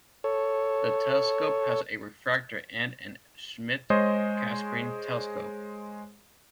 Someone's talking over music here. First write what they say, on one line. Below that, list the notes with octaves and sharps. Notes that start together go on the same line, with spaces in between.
The telescope has a refractor and an Schmidt-Cassegrain telescope.
A4 C#5
G#3 G#4 C5 C#5 D#5